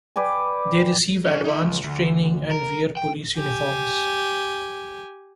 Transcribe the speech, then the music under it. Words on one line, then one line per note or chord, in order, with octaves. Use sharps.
They receive advanced training and wear police uniforms.
B4 D5 G5 G#5
C#4 D4
D#4 E5
C#2
D2
A#4
G5
G4 G#5